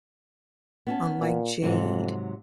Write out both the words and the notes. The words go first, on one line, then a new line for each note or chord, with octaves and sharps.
"Unlike Jade."
B3 C#4 A5
A#2
F2 G#2 C3 F#3